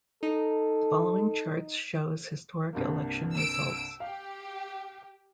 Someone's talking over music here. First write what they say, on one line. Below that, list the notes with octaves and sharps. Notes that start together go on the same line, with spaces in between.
The following chart shows historic election results.
D#4 A4
C2 G2 A#3
E6 D7
G4 F5